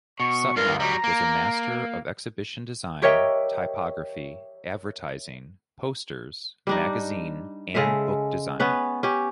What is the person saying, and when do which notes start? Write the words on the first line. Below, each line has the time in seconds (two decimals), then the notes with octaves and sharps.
Sutnar was a master of exhibition design, typography, advertising, posters, magazine and book design.
0.20 B2 C#6
0.56 G2 F4 A#4
0.80 F#3 G3 A#5
1.04 A#3
3.02 G4 A#4 C#5 D#5 E5 G5
6.67 G3 D4 D#4
7.75 C#3 G#3 A4 E5
8.60 B3 C#4 B4
9.03 C#4 G4